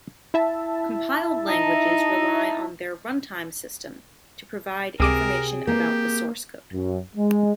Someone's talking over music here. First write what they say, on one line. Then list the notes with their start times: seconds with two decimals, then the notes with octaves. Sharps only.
Compiled languages rely on their runtime system to provide information about the source code.
0.34 E4 E5 A5
1.48 D#4
5.00 C#2 C3 C4 G#4 A#4 D6 D7
5.67 A#3 G4
6.73 F#2
7.15 G#3